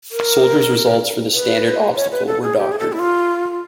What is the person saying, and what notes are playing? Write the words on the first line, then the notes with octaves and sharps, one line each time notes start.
Soldiers' results for the standard obstacle were doctored.
A#4
B4
C#5
B4
A4
G#4
G4
G#4
A4
E4
F4